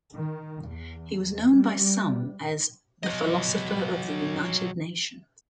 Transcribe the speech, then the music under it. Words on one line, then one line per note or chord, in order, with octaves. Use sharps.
He was known by some as "the philosopher of the United Nations".
D#3
E2
G3
F#3 D#5